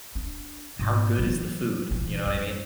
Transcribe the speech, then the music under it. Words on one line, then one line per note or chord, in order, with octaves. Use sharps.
How good is the food? You know what I mean?
D4
G#2
E3 F#3
A#1 E3
F#2